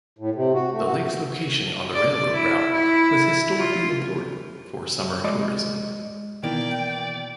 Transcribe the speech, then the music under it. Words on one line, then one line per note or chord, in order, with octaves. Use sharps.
The lake’s location on the railroad route was historically important for summer tourism.
A2
C3
F#4
A3
F#4
D5
E4
E4
F4
G#3 D5 D#5
B2 D#3 E3 A#3 B3 E4 D5 G5